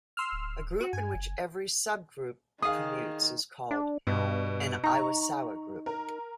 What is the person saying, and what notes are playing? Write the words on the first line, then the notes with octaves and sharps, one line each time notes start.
A group in which every subgroup permutes is called an Iwasawa group.
C6 E6 F6
D1
F#4
G2 G#5
F#1
D#3 G#4 F5 D#6
D4
G2 B2
D#4 A#5 C#6
A#4